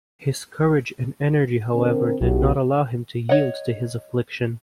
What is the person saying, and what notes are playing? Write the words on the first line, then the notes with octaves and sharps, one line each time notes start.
His courage and energy, however, did not allow him to yield to his affliction.
D3 C4 A#4
B1 E4 F#4 G4
C#5 D#5 F#5